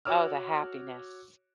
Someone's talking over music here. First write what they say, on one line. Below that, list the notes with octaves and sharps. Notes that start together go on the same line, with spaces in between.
oh, the happiness.
F#4 C#5 D6 E6 F6